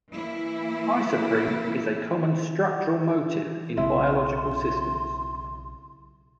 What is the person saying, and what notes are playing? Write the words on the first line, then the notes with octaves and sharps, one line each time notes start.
Isoprene is a common structural motif in biological systems.
E3 A#3 E4
B1 C#3 C4 E4 C6